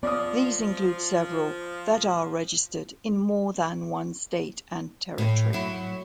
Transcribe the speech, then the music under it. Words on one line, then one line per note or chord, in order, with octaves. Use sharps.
These include several that are registered in more than one State and Territory.
F3 B3 D5 D#6
A2
F#3 E4